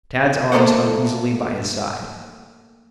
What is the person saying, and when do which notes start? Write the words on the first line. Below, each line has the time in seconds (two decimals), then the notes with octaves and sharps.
Tad's arms hung easily by his side.
0.52 A3 A#3 A4 C5 D5 F#5